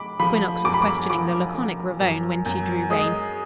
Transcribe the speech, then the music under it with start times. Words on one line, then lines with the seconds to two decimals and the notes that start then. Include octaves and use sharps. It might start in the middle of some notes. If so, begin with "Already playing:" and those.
Quinnox was questioning the laconic Ravone when she drew rein.
Already playing: F3 G#3 B5 D6
0.20 F3 B5
0.65 F#2 D6
0.74 B5
0.82 D6
1.10 F3 D6
1.55 F3
2.00 F#2
2.46 F#2
2.90 G#3 D#6